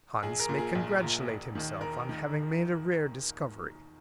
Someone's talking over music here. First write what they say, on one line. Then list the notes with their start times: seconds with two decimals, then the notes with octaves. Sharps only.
Hans may congratulate himself on having made a rare discovery.
0.23 A#1 G#4
0.40 A#4
0.49 A#2
0.58 G#4
0.75 A#1
1.02 A#2
1.29 E1
1.55 D#2 D#3
1.81 E1 A#4
2.09 D#3